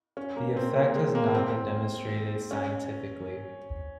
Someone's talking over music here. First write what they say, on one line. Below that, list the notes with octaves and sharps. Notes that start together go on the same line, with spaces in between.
The effect has not been demonstrated scientifically.
C#4
A#3
C4
A#3
G#3
A#3
C4
C#4